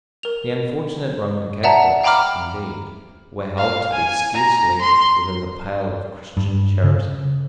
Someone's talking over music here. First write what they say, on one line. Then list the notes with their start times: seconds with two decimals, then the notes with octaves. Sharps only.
The unfortunate Roman Catholics, indeed, were held to be scarcely within the pale of Christian charity.
0.23 A#4 F7
1.63 D5 E5 F#5 A5 A#5
2.03 F5 G5 A#5 B5 D6 F6
3.58 F5
3.93 G#5
4.34 A#5
4.82 C6
6.37 G2
6.84 C#3